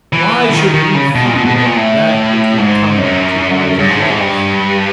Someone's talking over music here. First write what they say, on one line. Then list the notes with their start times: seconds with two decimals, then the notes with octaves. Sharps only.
Why should we fear that which will come to all that is?
0.13 E3
0.49 D3
0.53 D#3
0.74 D#3
0.95 C#3
1.15 B2
1.25 A#2
1.35 B2
1.45 B2
1.55 B2
1.65 A#2
1.76 A2
2.58 G#2
2.98 F#2
3.79 G2
3.89 G#2
4.00 A2
4.10 G#2
4.20 G2